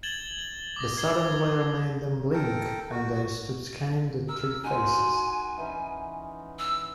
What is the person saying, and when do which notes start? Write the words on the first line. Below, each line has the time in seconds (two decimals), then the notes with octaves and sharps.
The sudden glare made them blink, and I stood scanning the three faces.
0.03 G#6 A6 E7 F#7 G7
0.39 G7
0.76 D6 D#6 A#6
0.96 D#6 G#6 C7 G7
2.33 A4 A#4 G5
2.91 F#4
4.29 A#4 E6
4.64 D#4 F#4 G#5 C6
5.58 E3 C#4 D#4
6.59 E6